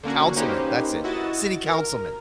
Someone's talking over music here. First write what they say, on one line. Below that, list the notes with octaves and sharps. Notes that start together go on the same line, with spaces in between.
councilman. That's it, city councilman.
D3 A#3 C#4 F#4
A#3 C#4 D#4 G4 B4 C5
E4 F#4 D#5 A6 E7
A#4